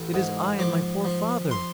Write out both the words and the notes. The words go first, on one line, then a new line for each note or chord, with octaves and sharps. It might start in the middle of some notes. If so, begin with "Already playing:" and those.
"It is I and my poor father."
Already playing: A1
G#2
F3 D6
F3
C6